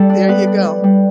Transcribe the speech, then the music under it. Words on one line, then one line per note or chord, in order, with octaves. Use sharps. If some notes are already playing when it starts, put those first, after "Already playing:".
There you go.
Already playing: G3 A4
D4
B3 B4
D4
G3
G3